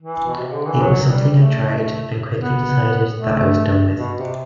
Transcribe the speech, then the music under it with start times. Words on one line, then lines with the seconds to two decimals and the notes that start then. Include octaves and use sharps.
It was something that I tried and quickly decided that I was done with.
0.02 E3
0.26 B2
0.40 C3
0.53 D3
0.67 E3
0.81 F#3
1.07 G3
1.33 A3
2.40 B3
3.19 A3
3.98 B2
4.18 C3